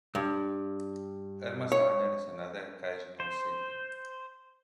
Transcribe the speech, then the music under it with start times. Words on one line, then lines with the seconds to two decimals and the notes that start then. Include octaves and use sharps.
Irma's Diner is another occasional setting.
0.15 G2
1.72 C#5
3.20 C5